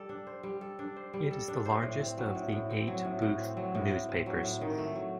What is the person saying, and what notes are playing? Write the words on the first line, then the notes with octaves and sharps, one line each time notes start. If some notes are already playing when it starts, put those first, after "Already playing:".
It is the largest of the eight Booth newspapers.
Already playing: G3 A4
D4
C5
G3
A4
D4
C5
G3
A4
D4
C5
A2
C4
F#3
A2
A2
C4
F#3
A2
A2
C4
F#3
A2
A2
C4
F#3
A2
D#3
A3
F#3